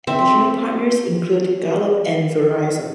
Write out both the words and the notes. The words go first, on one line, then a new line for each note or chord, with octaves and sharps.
Additional partners include Gallup and Verizon.
C4 E5